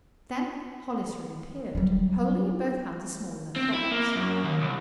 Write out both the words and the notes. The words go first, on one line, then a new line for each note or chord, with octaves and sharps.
Then Hollis reappeared, holding in both hands a small leather box.
F#3 G3
C4
E4
A#3
F#2
D#2
C2